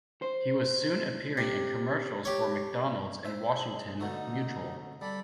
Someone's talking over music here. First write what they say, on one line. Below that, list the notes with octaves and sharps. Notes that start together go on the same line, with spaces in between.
He was soon appearing in commercials for McDonald's and Washington Mutual.
C5
C3
G4 C#5
C5 E5
G#4
B2 D3 A3 D#4
G3 A4 D5 B5